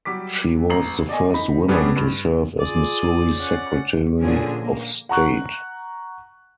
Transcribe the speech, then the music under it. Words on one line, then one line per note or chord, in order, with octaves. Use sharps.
She was the first woman to serve as Missouri Secretary of State.
F#3 G3 D6 B6
A1 A#5 C7 F#7
D5 D#5 G#5
D#4 B5
G3 B3 C#4 D4 G#4 A4
G2
F4 G#4 D5 D#6
C#4 F#5
A#2 D3 F3 C#4 D4 G#4
A#3
F#5 A#5 C#6 F#6